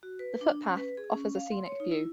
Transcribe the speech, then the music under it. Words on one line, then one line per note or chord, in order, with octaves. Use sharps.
The footpath offers a scenic view.
F#4
B4
D4
C#4
B4
G#4
C#4
F5
C6
C#5
D#4
E4